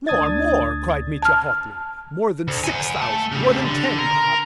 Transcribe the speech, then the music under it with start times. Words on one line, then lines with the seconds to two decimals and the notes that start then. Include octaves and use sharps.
More, more," cried Mitya hotly; "more than six thousand, more than ten, perhaps.
0.07 D2 D4 D#6 G#6 A6
1.22 A5 F6
2.48 D2
2.64 F#5 G#5
3.01 A3 A5
3.32 C#3 G3
3.64 D3
3.98 A#4